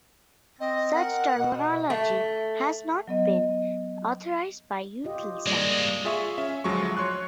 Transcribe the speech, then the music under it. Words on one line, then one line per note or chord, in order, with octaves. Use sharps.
Such terminology has not been authorised by Eutelsat.
C4 D#5
A#4 F#5
B2
A3
F#3 B3 D#5
F4 G4 D#5
G3 G#3 A#3 C4 D5
F4 G#4 E5 C#6
C#4 E5
D2 F3 F#3 G#3 C#6
C#5 C6 C#6 F#6